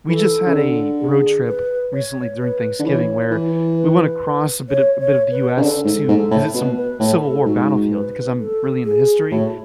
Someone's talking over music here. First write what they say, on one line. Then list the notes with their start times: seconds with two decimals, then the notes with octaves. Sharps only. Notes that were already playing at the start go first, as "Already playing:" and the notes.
We just had a road trip recently during Thanksgiving where we went across a bit of a bit of the US to visit some Civil War battlefield 'cause I'm really into history,
0.09 E3 A4
0.47 C#3
0.54 D3
1.00 G#4
1.47 B4
1.93 C#5
2.39 B4
2.79 D3
2.85 E3 C#5
3.31 E3
3.77 B4
4.69 C#5
5.00 C#5
5.31 B4
5.57 C#3
5.61 D3 A4
5.84 G#2
6.08 G#2
6.31 A2
6.54 B2 B4
6.77 B4
7.00 A2
7.23 A4
7.46 G#2 F#4
7.92 B4
8.39 A4
8.84 G#4
9.31 A2 F#4